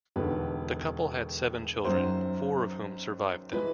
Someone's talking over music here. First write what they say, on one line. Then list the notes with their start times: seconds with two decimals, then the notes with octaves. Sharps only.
The couple had seven children, four of whom survived them.
0.16 E1 D#2 D3 B4
1.84 F#1 F#2 D#3 F#3 C5
3.53 E3 G#3 B4